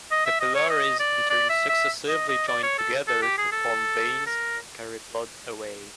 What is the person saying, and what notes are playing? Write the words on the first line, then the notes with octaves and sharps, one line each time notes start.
Capillaries in turn successively join together to form veins that carry blood away.
D#5
E5
D#5
C#5
D#5
D5
D5
E5
E5
D#5
D#5
D5
C#5
A4
A4
G4
G#4
A4
A#4